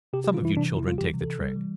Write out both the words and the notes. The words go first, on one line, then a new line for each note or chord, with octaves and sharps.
Some of you children take the trick.
C3 G4
G4
G3
F4
E3 E4
C3 D4
C3
E4
G3 F4
E3 G4
C3
A4
C3
G3
E3